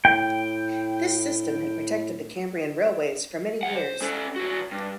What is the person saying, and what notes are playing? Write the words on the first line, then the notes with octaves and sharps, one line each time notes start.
This system had protected the Cambrian Railways for many years.
A2 G5
D2 F#5
C5
C#4 A4
E3 F#4
G2